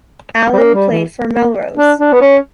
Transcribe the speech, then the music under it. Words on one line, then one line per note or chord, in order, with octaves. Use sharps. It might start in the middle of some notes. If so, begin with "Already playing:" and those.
Allan played for Melrose.
G3
A#3
G3
E3
A#3
D4
D4
B3
C#4